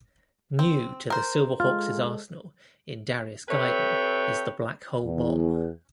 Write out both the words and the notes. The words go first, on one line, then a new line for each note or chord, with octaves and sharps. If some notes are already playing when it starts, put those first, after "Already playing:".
New to the Silver Hawk's arsenal in Darius Gaiden is the 'black hole bomb.
C4
A#4 C5
G#3 F4 A4
C3 A4 B4 C#5 G5
E2